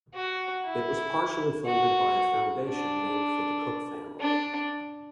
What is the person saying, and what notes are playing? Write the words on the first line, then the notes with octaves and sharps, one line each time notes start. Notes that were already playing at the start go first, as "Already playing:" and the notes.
It was partially funded by a foundation named for the Cooke Family.
F#4
E4
F#4
D4
D4